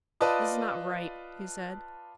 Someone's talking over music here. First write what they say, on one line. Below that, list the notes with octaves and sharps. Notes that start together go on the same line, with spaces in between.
"This is not right," he said.
F4 B4 D5 D#5 A5 D#6